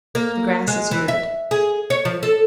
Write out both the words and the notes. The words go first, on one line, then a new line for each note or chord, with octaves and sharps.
The grass is good.
A#3
G#3
E3
E5
G#4
C#5
F3
A4